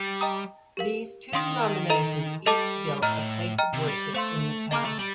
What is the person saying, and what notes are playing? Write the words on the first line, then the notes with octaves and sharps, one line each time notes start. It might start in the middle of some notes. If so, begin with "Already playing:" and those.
These two denominations each built a place of worship in the town.
Already playing: G3
D#5 G5 A#5 D#6
G4 A#4 F5
D#3 F5 C6 D#6
A4 D#5 A#5
G3 A4 D#5 A5 D6
A2 D#5 A#5 F6
D#5 G5 A#5 F6
C3
G3
A3 C5 F5 C6
A#3 D#5 A#5 D6 F6
A3
G3